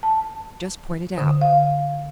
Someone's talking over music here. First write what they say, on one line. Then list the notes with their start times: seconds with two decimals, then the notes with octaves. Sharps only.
Just point it out.
0.03 A5
1.18 D3
1.41 F5